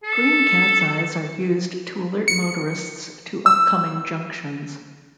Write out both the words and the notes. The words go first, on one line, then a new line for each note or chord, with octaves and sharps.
Green cat's eyes are used to alert motorists to upcoming junctions.
A4
C#7
E6